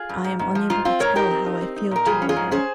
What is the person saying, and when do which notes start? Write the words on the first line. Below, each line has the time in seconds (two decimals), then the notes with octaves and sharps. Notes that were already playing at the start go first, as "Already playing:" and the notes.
I am unable to tell how I feel toward her.
Already playing: F4 G#4
0.09 G2
0.24 G#2
0.39 G#2
0.55 F3
0.70 G#2 F4
0.85 C4 F4
1.00 G#2 A#4 C#5
1.15 D#4 G4 A#4
1.31 C4
1.46 D#4
1.61 C4
1.76 D#4
1.91 A#2 A#4
2.06 G3 F4 G#4
2.22 C#4
2.29 F4 G#4
2.36 G#2
2.51 C#4 G#4 C5